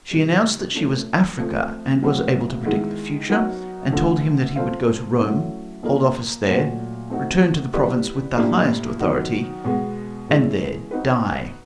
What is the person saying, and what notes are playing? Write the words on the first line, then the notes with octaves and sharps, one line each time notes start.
She announced that she was Africa, and was able to predict the future, and told him that he would go to Rome, hold office there, return to the province with the highest authority, and there die.
C3 D#3 G3
F3 A3 C#4
F3 A3 C4
C#3 F#3 A3 C4
D#3 G#3 B3 E4
F#3 B3 D#4 F#4 A#4
D3 F3 A3
C4 F4 A4 C5 F5
F#3 A3 C#4 E4
F3 A#3 D4 F4 A#4
A#2 F#3 A3
A3 C4 D#4 F#4
B3 E4 G4 B4 D5
A2 F3 A#3 D4 G4
D#3 F#3 B3 D#4 F#4
B2 G#3 B3
B2 G#3 C#4 E4 G#4
C4 D#4 F#4 B4